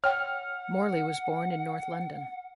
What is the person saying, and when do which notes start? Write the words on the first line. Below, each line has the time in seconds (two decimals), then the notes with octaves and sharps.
Morley was born in north London.
0.04 C#5 F#5 G5 F6